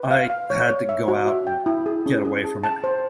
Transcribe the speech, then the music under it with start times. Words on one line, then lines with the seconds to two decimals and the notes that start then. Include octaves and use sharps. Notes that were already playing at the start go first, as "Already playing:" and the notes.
I had to go out and get away from it.
Already playing: B4
0.11 F5
0.30 F5
0.50 C#5
0.69 C#5
0.89 E5
1.08 F#4
1.28 E5
1.47 G5
1.66 E4
1.86 G#4
2.06 C#4
2.25 G#4
2.44 A5
2.64 A5
2.84 C5